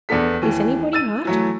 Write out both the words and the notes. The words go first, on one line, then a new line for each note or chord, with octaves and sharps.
"Is anybody hurt?"
E2 B3 D4 A4 B6
D#2 E3
E6 A6 D#7
E3 F#3 A3